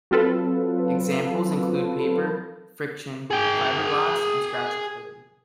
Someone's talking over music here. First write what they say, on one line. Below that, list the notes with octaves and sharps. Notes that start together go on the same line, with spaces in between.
Examples include paper friction, fiberglass, and scratchy clothing.
F#3 C4 F4 A4 B4
G#4 G5